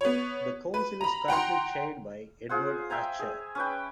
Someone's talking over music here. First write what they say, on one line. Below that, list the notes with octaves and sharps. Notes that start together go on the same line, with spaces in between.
The Council is currently chaired by Edward Asscher.
B3 C#5
B4
A#5 B5
F#5 G5 A#5 C6
F4 G#4 C5 F#5
E5 G5 G#5 A#5
G#4
C#4 B4 G5